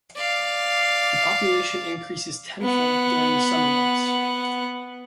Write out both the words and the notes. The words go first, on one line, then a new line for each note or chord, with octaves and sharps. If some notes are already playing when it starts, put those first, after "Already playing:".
The population increases tenfold during the summer months.
D5 F5
B3 F#5